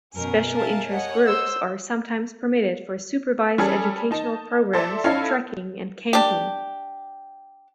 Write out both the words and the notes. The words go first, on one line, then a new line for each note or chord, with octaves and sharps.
Special interest groups are sometimes permitted for supervised educational programs, trekking and camping.
F#2 B2 A#4 G#5
E5 F5 A5
C#5 D#5 F#5
C5 E6
G3 C#4 G#4 A4
D#4 A5
A4 C5 D5 E5
C#4 D#4 E4 A4 F5
D4 G4